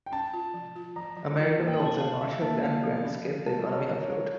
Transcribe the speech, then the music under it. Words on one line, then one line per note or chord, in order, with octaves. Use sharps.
American loans and Marshall Plan grants kept the economy afloat.
G5
C#4 A5
F4
F3
F4
F3 A#5
F3
F4
A#3
G5
C#4 A5
C#4 F5
C#4 E5
A#3 A5
A#3 F5
F3
C#4
F3
G3 A5
G3 C#5
A#4
G3
C#5
G3